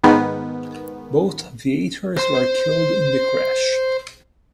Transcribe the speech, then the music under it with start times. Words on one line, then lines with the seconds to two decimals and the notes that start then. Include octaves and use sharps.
Both aviators were killed in the crash.
0.04 G#2 D#3 B3
2.17 C5 C6